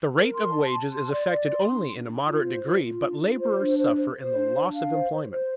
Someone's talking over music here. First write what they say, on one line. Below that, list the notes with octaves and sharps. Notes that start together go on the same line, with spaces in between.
The rate of wages is affected only in a moderate degree, but laborers suffer in the loss of employment.
A#4
C6
A5
A5
C6
D5
D5
C6
D4
D4
D4
F4
C5
F4
F4
D4
F4
C5
D4
C5
C5
C5
D4
D4
F5
C5
C5
C5